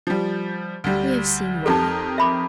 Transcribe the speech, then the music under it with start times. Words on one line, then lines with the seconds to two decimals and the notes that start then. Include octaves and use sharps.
We have seen why.
0.07 F3 G3
0.84 D2 G3
1.66 F2 D#4 G4 A4 A#4
2.18 E5 B5 D6